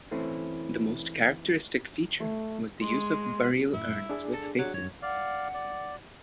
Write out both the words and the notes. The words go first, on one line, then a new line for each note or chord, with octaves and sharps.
The most characteristic feature was the use of burial urns with faces.
E3 A3 C4 C#4 E4
A3
G#3 C6
F#2 A2 E4
D4 G#4 D5
A4
F#3
F#2 C#5
D5 F5 F#5
D5